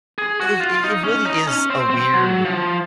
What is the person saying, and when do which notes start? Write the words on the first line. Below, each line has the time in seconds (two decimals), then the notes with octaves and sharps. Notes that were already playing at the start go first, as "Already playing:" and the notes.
it i it really is a weird
0.18 G#4
0.40 F#4
0.61 F4
0.75 F4
0.84 D#4
1.04 C#4
1.26 D#4
1.48 C#4
1.70 C4
1.91 C4
2.13 F#3
2.45 F3